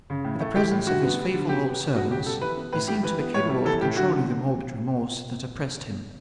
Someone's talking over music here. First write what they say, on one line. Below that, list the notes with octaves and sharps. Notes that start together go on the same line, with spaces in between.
In the presence of his faithful old servants, he seemed to be capable of controlling the morbid remorse that oppressed him.
C#3
A2
A3
E3 G4
A2
D3 F#4
B3
G3
D3
B2 G4
B3
F#3
B2 F#4
C#3 G4
G3 A4
E3 B4
B3
A2 B4
G3 G4
E3 B4
B3
A2 C#5
G3
E3 A4
A2 G4
D3 F#4